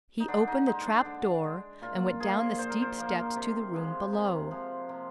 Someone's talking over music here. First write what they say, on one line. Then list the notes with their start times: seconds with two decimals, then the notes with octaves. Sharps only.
He opened the trap-door, and went down the steep steps to the room below.
0.20 D#4
0.28 D3 D4
0.47 D#4
0.66 G#3 D#4
0.86 D4
1.05 D3 D4
1.44 G#3
1.82 A#2 F4
2.20 F3 A#3 G#4
2.59 A#2 C5
2.70 A#4
2.82 C5
2.98 F3 A#3
3.36 C3
3.74 F3 G#3
4.13 C3
4.51 F3 G#3
4.89 C3